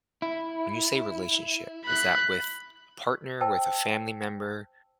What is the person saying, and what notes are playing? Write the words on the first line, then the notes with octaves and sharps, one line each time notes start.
when you say relationship, is that with a partner, with a family member?
E4
B5 F#6
C5 G5 A5 E6